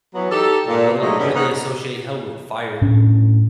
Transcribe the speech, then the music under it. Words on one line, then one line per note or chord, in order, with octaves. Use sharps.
what i what they what associate hell with? Fire.
E3 F#3 B3
D#4 G4 A4
A#2
A2 F#3 G#3 A3 D4 D#4
G2 D3 E3 G3 B3 C#4
G#3 A#3 C4 C#4 D#4 F#5
A2 C#4 D4